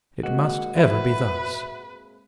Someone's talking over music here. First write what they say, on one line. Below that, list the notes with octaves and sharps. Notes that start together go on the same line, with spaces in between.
It must ever be thus.
G#3 A#3 C4 F#4 D#5
B4 E5 B5